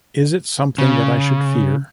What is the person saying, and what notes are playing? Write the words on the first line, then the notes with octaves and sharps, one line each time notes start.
Is it something that I should fear?
C#3